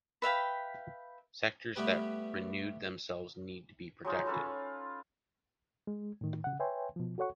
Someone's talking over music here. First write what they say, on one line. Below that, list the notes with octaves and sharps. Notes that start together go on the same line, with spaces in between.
Sectors that renewed themselves need to be protected.
B4 E5 F5 G5
G3 A3 B3 G4 B4
F#3 G#3 D#4 F4
C#4 F4 A4 B4
G#3
A2 D#3
C#3 F#5
B4 C#5 E5 G5 G#5 C6
B2 F3
F#4 A4 C#5 F#5 C#6